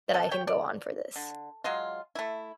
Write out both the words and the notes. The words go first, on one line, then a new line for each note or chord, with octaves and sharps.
that I can go on for this.
B2 A4
G4 C#5 G5
D5
D3
F#3 G#3 F4
A3 E4